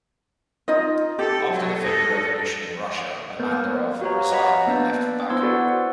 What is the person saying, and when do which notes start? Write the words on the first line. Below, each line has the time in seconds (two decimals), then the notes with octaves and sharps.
After the February Revolution in Russia Mehmandarov resigned and left for Baku.
0.68 D#4 F4 D#5
1.19 G4 A4
1.50 F#3
1.85 D#4 A4
3.39 A#3 B3 A#4 B4 G6
4.01 F#4 G4 B4 C#5 F5 A#5
4.31 C#5 D#5 F#5 A#5 B5 B6
4.67 A#3 B3 D4 B4 D5 G6
5.30 B3 E4 C5 C6 E6 G#6
5.43 F#4 A4 B4 D5 F#5